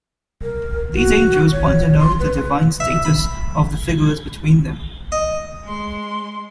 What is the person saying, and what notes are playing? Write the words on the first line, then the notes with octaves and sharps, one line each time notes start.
These angels pointed out the divine status of the figures between them.
A#4
F#4
C#5
C6
B4
E5
B5
D#5
G#3 C6